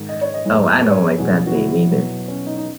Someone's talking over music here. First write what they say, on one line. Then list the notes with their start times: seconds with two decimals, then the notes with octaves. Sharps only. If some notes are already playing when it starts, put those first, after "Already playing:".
Oh, I don’t like that name, either.
Already playing: G#2 D#3 G#3
0.09 D#5
0.21 C#5
0.34 D#5
0.45 F#2 E3 G#3
0.82 B4
0.90 C#5
0.99 B4
1.18 E2 B2 F#3 G#4
1.47 F#4
1.54 E4
1.91 B2 F#3
2.28 C#4
2.46 D#4
2.57 D#4